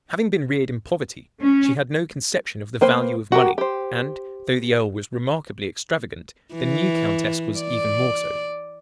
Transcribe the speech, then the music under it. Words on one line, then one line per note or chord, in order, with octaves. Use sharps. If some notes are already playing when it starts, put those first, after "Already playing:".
Having been reared in poverty, she had no conception of the value of money; and, though the earl was remarkably extravagant, the new countess was even more so.
C#4
A#3 B4 C5 G5
F#4 G4 A#4
G4 C5
E3
D5